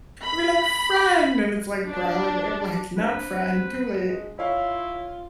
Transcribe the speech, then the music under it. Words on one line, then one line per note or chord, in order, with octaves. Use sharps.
"We're like friend," and it's, like, growling and I'm like, "Not friend, too late,"
B5
D4
G2 C4 B4
G#3
E4 F4 C#5 F5